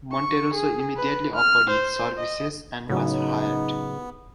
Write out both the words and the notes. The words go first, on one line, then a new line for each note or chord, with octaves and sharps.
Monterosso immediately offered his services and was hired.
C#6
G#4
B4
F6
C5
D#5
A2 C#3 F#3 B3 D#4